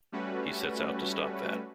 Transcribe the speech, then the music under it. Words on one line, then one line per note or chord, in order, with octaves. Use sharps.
He sets out to stop that.
G3 A3 C#4 F#4 B4